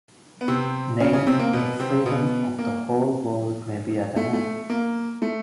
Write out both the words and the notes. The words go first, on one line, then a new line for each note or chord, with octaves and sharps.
Nay, the freedom of the whole world may be at an end!
B3
C3 C4
C#3 C#4
C#3 C#4
C3 C4
A#3
B2 B3
C3 C4
B2 B3
A#3
A3
A3
A#3
A3